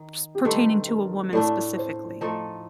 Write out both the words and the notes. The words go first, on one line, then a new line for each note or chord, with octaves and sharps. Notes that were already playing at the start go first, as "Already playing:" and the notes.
s pertaining to a woman, specifically,
Already playing: D#3 D#4
G4
G2 D#3 A3 C4 A4
A#4
A2 A3 D4 D5
C5
F3 A3 D#4 A4